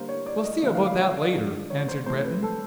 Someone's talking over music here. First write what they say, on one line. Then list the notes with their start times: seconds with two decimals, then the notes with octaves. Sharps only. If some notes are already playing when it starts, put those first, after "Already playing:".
"We'll see about that later," answered Breton.
Already playing: D3 G3 A#3 C5
0.09 C#5
0.26 D5
0.44 D#5
0.62 C3 D#3 F#3 A3 E5
0.75 F5
0.87 F5
0.98 C#5
1.17 D5
1.35 D3 F3 G#3
1.70 C#5
1.88 C5
2.06 C3 E3 A3 C5
2.24 B4
2.43 A4